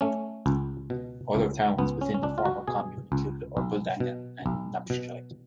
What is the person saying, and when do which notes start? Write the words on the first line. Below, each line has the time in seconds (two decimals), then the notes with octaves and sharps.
Other towns within the former commune include Erpeldange and Knaphoscheid.
0.01 A3 C#4
0.46 C#2
0.90 B2
1.35 C#2
1.79 C#2 B3
2.01 C#4
2.14 C#4
2.23 C#2 D4
2.38 F4
2.45 F#4
2.68 B2 G#4
3.12 C#2
3.57 B1
4.00 B2
4.46 B1
4.90 B2